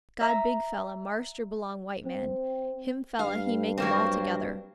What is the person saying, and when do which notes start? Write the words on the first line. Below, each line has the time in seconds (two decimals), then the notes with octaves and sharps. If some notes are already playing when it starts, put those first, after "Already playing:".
God big fella marster belong white man, him fella He make ’m altogether.
0.21 E5 A#5
2.05 C4
3.19 G2 F5
3.78 F#3 A#3 C4